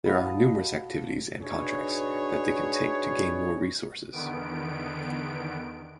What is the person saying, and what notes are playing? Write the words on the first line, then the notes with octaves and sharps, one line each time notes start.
There are numerous activities and contracts that they can take to gain more resources.
E4 F#4 F5 D#6
A5
D#5
D4 D#4 F#4 G#4 B4 C#5
E2 D3 D#3 B3 D7